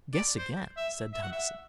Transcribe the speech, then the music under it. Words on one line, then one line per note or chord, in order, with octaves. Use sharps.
"Guess again," said Tennyson.
D5
C5
E5
E5
F#5
E5